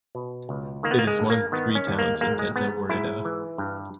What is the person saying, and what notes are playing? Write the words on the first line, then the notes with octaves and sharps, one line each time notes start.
It is one of three towns in Tenta woreda.
B2
C#2
D#3 A#3
B3
A#3
G#3
G2
A#3
D#3 B3
C#4
D#2
A#3
G#2 A#3
G#3
G#2 B3
G#2 E4
E3
G2